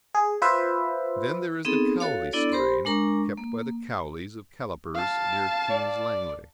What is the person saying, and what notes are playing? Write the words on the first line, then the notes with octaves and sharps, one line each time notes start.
Then there is the Cowley strain, kept by the Cowleys of Callipers, near King's Langley.
G#4
F4 B4 C5 E5
B3 C4 D#4 G#4 A4
F#4 A4 C#5 F5
B3 D4 E4 A4 D5
G4 A#4 C5 B5 C6
G#3 D4 A#4 A#5 C#6
A#3
F5 A5
D5